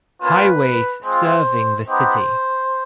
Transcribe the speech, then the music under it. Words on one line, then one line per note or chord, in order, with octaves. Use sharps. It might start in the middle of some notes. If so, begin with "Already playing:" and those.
Highways serving the city.
A#3 C#4 F4 B4
G#3 C4 F4 C5
B3 D#4 G4 C5